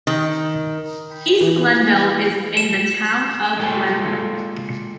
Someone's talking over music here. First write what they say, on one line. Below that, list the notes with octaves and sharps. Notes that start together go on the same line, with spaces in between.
East Glenville is in the town of Glenville.
D#3
E3
E7
G#3 A#3 F4 A4 G5